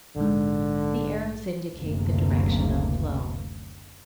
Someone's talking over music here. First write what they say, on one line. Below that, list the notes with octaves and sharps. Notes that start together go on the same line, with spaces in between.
The arrows indicate the direction of flow.
A#1 G#2 D3
F#1 D2 C3 A#3